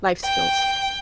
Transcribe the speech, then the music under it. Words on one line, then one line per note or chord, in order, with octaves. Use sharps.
Life skills.
G5